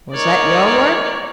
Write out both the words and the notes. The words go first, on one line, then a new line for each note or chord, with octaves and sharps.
"Was that your work?"
G#3 D#4 A#4 C#5 D5